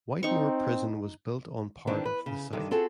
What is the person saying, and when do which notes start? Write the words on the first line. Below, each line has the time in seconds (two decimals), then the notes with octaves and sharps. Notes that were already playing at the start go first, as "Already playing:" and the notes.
Whitemoor prison was built on part of the site.
0.23 C4 D#4 C#6
1.87 D#3 E3 C4 D4
2.05 B4
2.26 C#3
2.53 G2 D3 D#3
2.71 C4 F4 F#4 G#4 A4